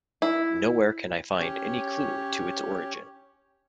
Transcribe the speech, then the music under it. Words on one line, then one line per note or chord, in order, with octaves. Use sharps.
Nowhere can I find any clue to its origin.
E4
C#4 G4 C#5